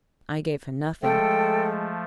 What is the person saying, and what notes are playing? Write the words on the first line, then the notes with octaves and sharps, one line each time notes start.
'I gave her nothing.
F3 G#3 A3 A4 G5